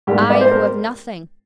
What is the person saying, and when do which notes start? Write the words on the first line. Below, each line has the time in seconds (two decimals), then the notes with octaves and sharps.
I, who have nothing!
0.07 G#2 G3 A#3 G4
0.30 D5
0.41 C5
0.51 A#4